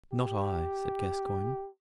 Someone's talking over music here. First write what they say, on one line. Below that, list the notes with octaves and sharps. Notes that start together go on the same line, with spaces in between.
"Not I," said Gascoyne.
G4